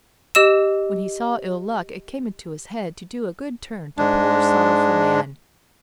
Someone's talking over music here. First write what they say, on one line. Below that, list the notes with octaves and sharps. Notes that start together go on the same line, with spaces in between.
When he saw Ill-Luck it came into his head to do a good turn to poor sorrowful man.
G4 D#5 E6 E7
G#2 G#3 D4